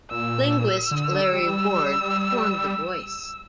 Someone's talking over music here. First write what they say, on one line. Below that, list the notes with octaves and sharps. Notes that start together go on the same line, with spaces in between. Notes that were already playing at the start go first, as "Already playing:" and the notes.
Linguist Larry Ward performed the voice.
A#2 E6
D3
G3